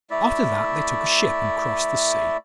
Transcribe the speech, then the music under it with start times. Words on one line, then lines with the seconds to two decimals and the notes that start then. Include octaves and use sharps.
After that they took a ship and crossed the sea.
0.10 A3 E4 D5 E5